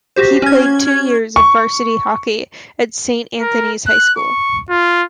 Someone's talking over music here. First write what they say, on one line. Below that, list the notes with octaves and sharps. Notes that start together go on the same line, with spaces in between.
He played two years of Varsity hockey at Saint Anthony's High School.
F#4 G4 C5
C#4 G#6
C#6
A#4
F#6
C#6
F4